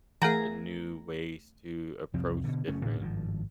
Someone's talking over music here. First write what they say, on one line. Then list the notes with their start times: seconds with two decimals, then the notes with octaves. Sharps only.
uh, new ways to approach different
0.22 E3 A3 G#4 A#4 F#5 A#5
2.14 C2 F2 F3 C4
2.44 B2 D3
2.68 F#1 F#2 A3 C#4
2.85 A1 A2 D3 D4
3.00 G#1 G2 D3 F3